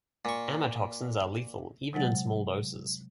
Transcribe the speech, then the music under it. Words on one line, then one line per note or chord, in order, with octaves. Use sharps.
Amatoxins are lethal in even small doses.
A#2 C#6
C3 F#3 G#3 F#5 A6